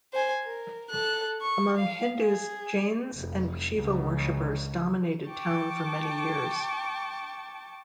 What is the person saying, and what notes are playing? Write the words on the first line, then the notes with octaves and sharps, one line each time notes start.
Among Hindus, Jains and Shiva worshipers dominated town for many years.
C5 G#5
A#4
A4 F#6
C#6
F5
G#4
F1
C#2 C#3
G5 A5 C#6 D6